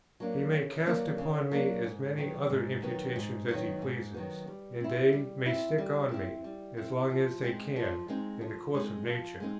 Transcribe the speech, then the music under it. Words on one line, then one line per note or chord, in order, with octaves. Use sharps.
He may cast upon me as many other imputations as he pleases, and they may stick on me, as long as they can, in the course of nature.
F#3 A#3 D4
C#3
F#3 A#3 D4
C#3
F#3 A#3 D4
G#2
D#3 F#3 B3
G#2
D#3 F#3 B3
G#2
D#3 F#3 B3
G#2
D#3 F#3 B3
G3
C4 E4
G3
C4 E4
G3
C4 E4
G3
C4 E4
F3
G#3 C4 D#4
F3
G#3 C4 D#4
F3
G#3 C4 D#4
F3
G#3 C4 D#4